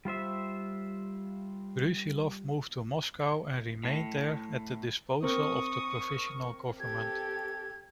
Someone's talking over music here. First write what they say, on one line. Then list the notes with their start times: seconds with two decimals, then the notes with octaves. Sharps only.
Brusilov moved to Moscow and remained there at the disposal of the Provisional Government.
0.05 G3 F4 C5 E5
3.83 A2
5.23 C4 A#4 C#6 D#6
6.80 G4 A4 G#6